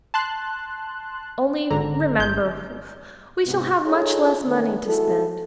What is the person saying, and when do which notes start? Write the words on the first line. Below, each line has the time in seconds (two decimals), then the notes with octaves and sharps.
Only remember, we shall have much less money to spend.'
0.14 A5 C6 F#6
1.70 G#1 D3 A#5
2.19 G1 G6
3.44 G#2 C3 B3
3.85 D#4 F4 G#4 A4 C#5
4.45 D#3 A3 B3 C#4
4.86 G#3 E4 F#4 A4